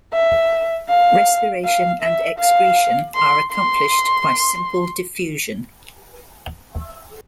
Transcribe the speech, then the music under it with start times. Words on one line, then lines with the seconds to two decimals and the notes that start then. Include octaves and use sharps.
Respiration and excretion are accomplished by simple diffusion.
0.13 E5
0.89 F5
1.64 F5
2.02 E5
2.39 F5
3.15 C6
3.52 C6